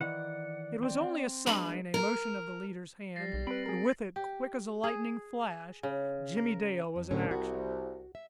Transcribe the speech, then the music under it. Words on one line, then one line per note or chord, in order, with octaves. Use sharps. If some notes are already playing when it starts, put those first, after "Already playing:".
It was only a sign, a motion of the leader's hand--but with it, quick as a lightning flash, Jimmie Dale was in action.
D#3 E3 D5 F#5
C4 D5
F#3 G#3 B3 D4 B5
A#4
G3 A6 A#6 C7
B1
C4 B4 B5 D7 F#7
G#4 A#4
G4
G#4
C#3
A#4
F2
C2 A2 D3 C#4
F#4
E5